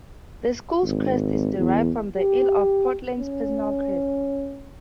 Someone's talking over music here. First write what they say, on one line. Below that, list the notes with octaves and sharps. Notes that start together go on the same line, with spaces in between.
The school's crest is derived from the Earl of Portland's personal crest.
G#1
E2
G4
C#4